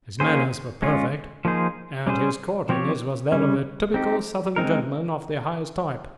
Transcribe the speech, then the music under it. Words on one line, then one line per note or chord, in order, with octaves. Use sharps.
His manners were perfect, and his courtliness was that of a typical southern gentleman of the highest type.
A#3 C#4 G#4 C5
G#3 C#4 F4
F3 A#3 D#4 G#4 C5
G3 C#4 G#4 C5
F3 C4 G4 C#5
C#3 G3 C#4
C4 D#4 G4
G#3 C4 D#4 A#4